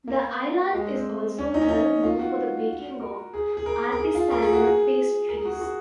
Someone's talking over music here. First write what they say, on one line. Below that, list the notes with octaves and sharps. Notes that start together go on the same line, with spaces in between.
The island is also well known for the baking of artisanal pastries.
A#3
G#3
C4
C#4
D#4
C#4
D#4
F4
F#4
A#4
G#4
G#4
A#4
A#4
G#4
F4
A#4
G#4
F#4
G#4
A#4
G#4
F#4
G#4
F#4